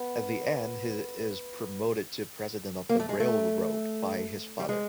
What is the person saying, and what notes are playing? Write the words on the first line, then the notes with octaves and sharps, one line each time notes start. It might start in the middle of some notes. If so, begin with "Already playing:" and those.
At the end he is promoted to president of the railroad by his father.
Already playing: B3
A#3
A3
G#3
A3
G3
G#3